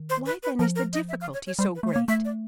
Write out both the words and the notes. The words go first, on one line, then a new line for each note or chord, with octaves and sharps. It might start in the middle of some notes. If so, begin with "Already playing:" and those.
"Why then is the difficulty so great?"
Already playing: D#3
C5
B4
B4
F3 A#4
A#4
D#5
E5
F5
C#5
C#5
G3 C5
B4
A3 C5
C#5
A#3
A3 E5
D5